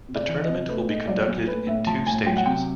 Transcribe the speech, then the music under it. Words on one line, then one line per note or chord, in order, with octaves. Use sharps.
The tournament will be conducted in two stages.
C3
D5
E3
D#5
C3
A3 B4
A#2 D#5
F#3 D5
A#2
A3 B4
A2 E5
F3 A5
A2 G#5
F#3 G5
F#5
C3 G5